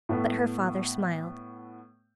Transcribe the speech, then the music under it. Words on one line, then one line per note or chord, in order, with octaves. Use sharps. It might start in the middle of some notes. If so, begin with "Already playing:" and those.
But her father smiled.
A2 A3 B3